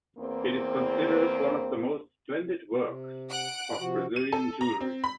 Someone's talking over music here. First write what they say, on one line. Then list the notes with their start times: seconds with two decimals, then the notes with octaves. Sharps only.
It is considered one of the most splendid works of Brazilian jewelry.
0.18 E2 A#3 C4
2.85 C3
3.30 F#5 F#6 D7
3.79 C3 F3 F#4
4.16 D#7
4.32 A4
4.61 A#5
4.81 C4
5.04 B5